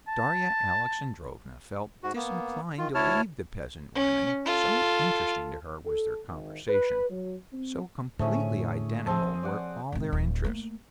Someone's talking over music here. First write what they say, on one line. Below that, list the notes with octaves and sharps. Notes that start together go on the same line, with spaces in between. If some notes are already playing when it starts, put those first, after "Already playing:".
Darya Alexandrovna felt disinclined to leave the peasant women, so interesting to her was their conversation, so completely identical were all their interests.
A5
G#2 F#4
A#3 B3
D#3 F4
D2 E4 C#5 A5 F6
C#4
F4 A4
A4
G#1
B4
F#3
C4
A2 D3 A3 C#4 G#4 C5
F3 C4 G#4 A5
D5 F#5
G#1 C3
D1
A3 A#3